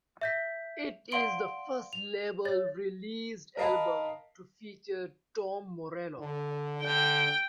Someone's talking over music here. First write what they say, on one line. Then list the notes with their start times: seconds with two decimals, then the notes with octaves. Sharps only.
It is the first label-released album to feature Tom Morello.
0.21 E5 G6 B6
1.12 D5 F5 F#5 C6 D7 G7
1.93 F7
2.45 C#5 A6
3.57 A#4 D#5 F5 A5 B5
6.19 D3
6.84 D3 G5